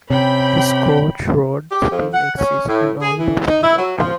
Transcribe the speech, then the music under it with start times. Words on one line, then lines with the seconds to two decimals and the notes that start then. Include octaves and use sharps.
This coach-road still exists and although private.
0.10 C3 C#4 G5 B5
1.70 G4
1.91 F2
2.13 F#5
2.37 C#4
2.67 A2
3.01 G#4
3.18 E3
3.47 D#4
3.62 E4
3.77 F#3
3.97 F3